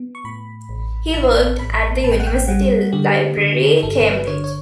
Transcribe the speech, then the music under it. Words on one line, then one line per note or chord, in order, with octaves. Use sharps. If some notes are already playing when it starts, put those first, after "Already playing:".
He worked at the University Library, Cambridge.
Already playing: B3
C#6
A2 B5
A1
A1 A5
A1 B5
A1 A5
G5
F#5
G5
G5
G3 F#5
D3 G4
D3
G1 A4
B4
D3 C#5
C#5